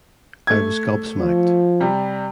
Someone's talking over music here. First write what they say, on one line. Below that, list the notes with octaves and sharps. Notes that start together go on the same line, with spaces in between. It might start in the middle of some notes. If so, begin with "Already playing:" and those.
I was gobsmacked.
A3 G#6
F3
C3 G3